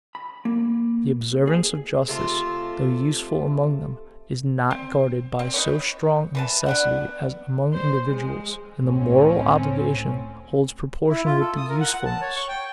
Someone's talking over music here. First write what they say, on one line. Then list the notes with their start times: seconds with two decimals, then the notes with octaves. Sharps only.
The observance of justice, though useful among them, is not guarded by so strong a necessity as among individuals; and the moral obligation holds proportion with the USEFULNESS.
0.15 B5
0.45 A#3
1.47 G#4
2.08 C3 A3 F4
4.71 C4
5.39 C4
5.54 D#4 B4 C#5
6.35 E3 B4 A5
6.66 B3 D4 F#5
7.73 C5
8.09 G#3
8.81 C#2 A2 C4 C#4
11.10 E4
11.26 F4
11.40 A4
11.57 D#6
11.69 A#4
11.80 F#5
11.93 F#5
12.06 A5
12.21 C#5
12.36 C#6
12.48 G5